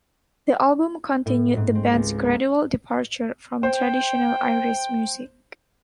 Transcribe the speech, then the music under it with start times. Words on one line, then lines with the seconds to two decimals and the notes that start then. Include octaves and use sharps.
The album continued the band's gradual departure from traditional Irish music.
1.26 A2
1.57 G#2
1.75 C4
1.94 C#2
2.24 A#3
3.63 C5 G5